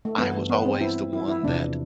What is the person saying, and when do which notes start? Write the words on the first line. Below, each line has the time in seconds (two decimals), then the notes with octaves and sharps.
I was always the one that
0.05 A3
0.17 G2 E3 G3 B3
0.50 B3
0.65 C4
0.81 E4
1.13 E4
1.28 E4
1.43 E2 C3 F3 D4